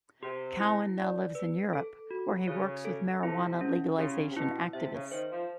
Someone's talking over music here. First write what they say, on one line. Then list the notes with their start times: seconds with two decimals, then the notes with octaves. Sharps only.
Cowan now lives in Europe where he works with marijuana legalization activists.
0.23 C3 G4
0.60 E4
0.98 D5
1.35 B4
1.73 A4
2.11 F#4
2.47 C#3 C#5
2.85 A4
3.23 C3 E4
3.61 C#4
3.98 C#3 G4
4.29 C3
4.36 B2 E4
4.73 C3 E5
4.93 C#3
5.12 D#3 C5
5.30 F3